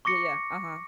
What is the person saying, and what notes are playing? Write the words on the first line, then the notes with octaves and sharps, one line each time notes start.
Yeah, yeah. Uh-huh.
C#6 D6 A#6 C#7